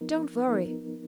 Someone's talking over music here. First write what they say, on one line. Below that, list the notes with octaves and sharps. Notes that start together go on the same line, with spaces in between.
Don't worry!
F3 B3 D#4 A#4
F3 B3 D#4 A#4